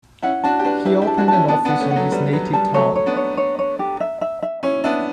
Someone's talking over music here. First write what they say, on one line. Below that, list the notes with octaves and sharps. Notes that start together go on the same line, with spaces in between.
He opened an office in his native town.
C#4 E4 F#5
D4 F#4 A5
G4
D4 F#4 B4
E4 G4 B4
E4 G4
A5
D4 F#4
C#4 E4 A5
B3 D4 A5
B3 D4
F#5
A3 C#4
F#5
F#3 A3
G3 B4
F#3 B4
G3 A5
F#3 A3 C#5
C#5
B3 D4
C#5
C#5
C#5
G4
E5
E5
E5
C#4 E4 C#5
B3 D4 E5